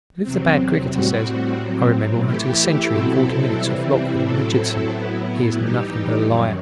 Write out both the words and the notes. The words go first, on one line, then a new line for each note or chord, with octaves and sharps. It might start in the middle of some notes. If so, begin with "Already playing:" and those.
But if the bad cricketer says, "I remember when I took a century in forty minutes off Lockwood and Richardson," he is nothing but a liar.
E2 C3 F#3 C4
A2 G3 C4 F#4
A2 F#3 C4
E3 A3 E4 G4
B2 F#3 C4 E4 A4
C3 E3 G3 C4 E4
A2 F#3 C4 E4 A4
A2 F#3 B3 E4
E3 G3 D#4 G4
F#2 D#3 F#3